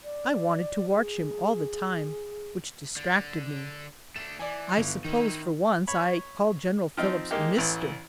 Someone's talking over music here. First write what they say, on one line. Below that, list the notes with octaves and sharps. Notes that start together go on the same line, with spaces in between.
I wanted to watch him all the time, which distracted me, I suppose, for once I called General Phillips "Mister!"
D5
G#4
D3
A3 D4 E7
E3 D5 G#5
G1
D#3 D#4 E4
C#5 B5
F3 C4 D#4
G#3 A#3 D#4 G4
A1 E3